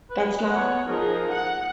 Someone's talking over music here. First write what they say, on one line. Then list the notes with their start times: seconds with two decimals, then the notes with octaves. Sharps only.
that's not
0.10 B4
0.50 B3 C#5 F#5
0.87 F3 D#4 G#4 A#4
1.30 F#5